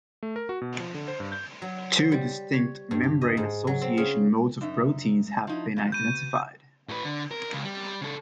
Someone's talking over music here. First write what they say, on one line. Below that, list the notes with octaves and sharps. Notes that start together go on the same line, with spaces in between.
Two distinct membrane-association modes of proteins have been identified.
A3
A#4
F#4
B2
F3
D3
C5
G2
G6
F#3
C5
G3
C#5
G2
G4
D#5
G#2
F#3
C4
C#3
F#2 D#4 E5
F3 D#4 E4
F2 C3
B2 G6 D#7
A2 B4
D3
A#4
C#2
G3
C#3 A4